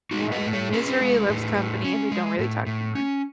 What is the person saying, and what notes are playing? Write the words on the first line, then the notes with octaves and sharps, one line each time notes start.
yeah, and misery loves company and we don't really talk anymore.
D#4 F#4
A2
B4 D#5
A2
A4 C#5
C#4 G#4 B4
G#3
A2
A2
C#4
G#3
A2
A2
C#4